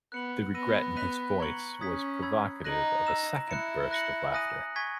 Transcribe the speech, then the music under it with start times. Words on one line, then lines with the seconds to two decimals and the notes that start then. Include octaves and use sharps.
The regret in his voice was provocative of a second burst of laughter.
0.12 B3 F#6 C#7 F#7
0.54 B3 E6 A#6 D#7
0.97 B5 F#6 B6 D#7
1.39 A#5 C#6 G#6 C#7 F#7
1.81 C#4 D#6 G#6 B6
2.22 B5 E6 G#6
2.64 D#4 F#6 A#6 D#7 F#7
3.07 A#5 E6 A#6 E7
3.49 E4 F#6 C#7 E7
3.91 F#6 A#6 C#7 F#7
4.33 G#5 D#6 F#6 A#6 D#7
4.76 G#5 C#6 G#6 B6